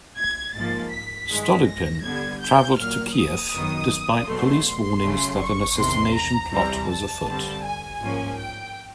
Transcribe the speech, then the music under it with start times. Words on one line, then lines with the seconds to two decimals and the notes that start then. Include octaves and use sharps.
Stolypin traveled to Kiev, despite police warnings that an assassination plot was afoot.
0.17 G#6
0.54 G#2 F3 A#3 A6
0.91 B6
1.29 G2 D#3 G#3
1.66 A#6
2.03 D3 G3 B3 G#6
2.41 G6
2.77 A#2 F#3 A#3 F6
3.15 D#6
3.52 F#2 D#3 F#3 B3
4.27 E2 B2 F#3 A3 C6
5.02 C#3 F#3 A3
5.39 C#6
5.76 E2 C3 D#3 C6
6.14 A#5
6.51 C3 E3 G3 C4 A#5
6.88 A5
7.26 G2 D3 G3 C4
7.63 G#5
8.01 G#2 F3 A#3 C#4
8.38 G5